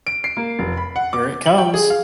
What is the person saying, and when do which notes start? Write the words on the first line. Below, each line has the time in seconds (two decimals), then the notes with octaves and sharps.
Here it comes!
0.07 D7
0.24 C7
0.37 A#3
0.59 F1
0.77 B5
0.96 F#5
1.13 D6
1.46 F#7
1.58 G5
1.74 G#4
1.90 F5